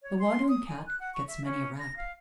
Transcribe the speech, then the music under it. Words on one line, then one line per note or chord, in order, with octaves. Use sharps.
"The wandering Cat gets many a rap."
C#5
C6
D#6
G#5
F#6
F#5
C#6
E5
C#4
A#6
F5